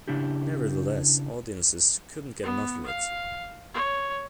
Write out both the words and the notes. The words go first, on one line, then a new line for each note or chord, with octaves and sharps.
Nevertheless, audiences couldn't get enough of it.
C#3 D4 E4 G4
B3
F5
C#5